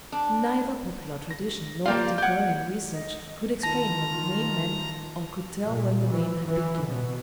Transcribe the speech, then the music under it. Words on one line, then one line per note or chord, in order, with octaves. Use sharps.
Neither popular tradition nor antiquarian research could explain what the name meant, or could tell when the name had been given.
D4
A#6
A#3 F4 G4 D5 F5
D5 F#5 G6 G#6
D#5
D#3 F4 A5 A#5 A#6
A#2
E3
E3
B2